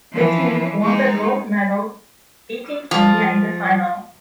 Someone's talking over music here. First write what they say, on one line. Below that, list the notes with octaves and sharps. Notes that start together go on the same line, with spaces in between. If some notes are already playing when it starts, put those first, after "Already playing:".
The team won the gold meal beating India in the final.
E3 F3
G#3 D#4
F3